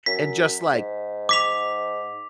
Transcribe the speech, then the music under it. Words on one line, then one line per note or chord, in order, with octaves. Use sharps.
and just, like,
F#2 B6
G#2
D6 B6 F7